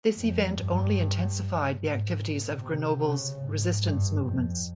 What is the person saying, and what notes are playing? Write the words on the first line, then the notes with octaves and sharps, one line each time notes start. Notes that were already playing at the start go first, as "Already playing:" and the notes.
This event only intensified the activities of Grenoble's resistance movements.
F2
G2
G#2
A#2
C3
C#3
G#2
G2
F2